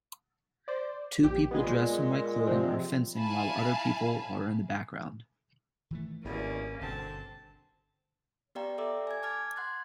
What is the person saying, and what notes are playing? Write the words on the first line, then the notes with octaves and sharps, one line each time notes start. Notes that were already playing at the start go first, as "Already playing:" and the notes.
Two people dressed in white clothing are fencing while other people are in the background.
C5 D5
A#1 G4
A#2 G#3 B3 G#4
C3 F3 C4
E4 F5 G#5 A5 B5
D#3 E3 A3
G#1 E2 G2 B2 A#3 C#4
G1 G2 B2 D3 C4 A5
B3 G4 D5 F5 G5 A#5
A4 D5 E5 D6 E6
G#5 G#6
A5 D6 F6 G#6 A6
F#5 C6 F#6 G#6 A6